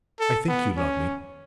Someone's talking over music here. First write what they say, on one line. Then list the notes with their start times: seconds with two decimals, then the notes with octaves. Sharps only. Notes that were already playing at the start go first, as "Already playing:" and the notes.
I think you love me.
0.20 A4
0.48 B3
0.77 C#4